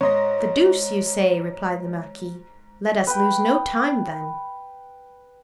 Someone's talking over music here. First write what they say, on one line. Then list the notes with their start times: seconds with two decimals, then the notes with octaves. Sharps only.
"The deuce you say!" replied the marquis, "let us lose no time, then!"
0.01 G#2 C#5 D#5 C6 A#6
3.07 B4 G5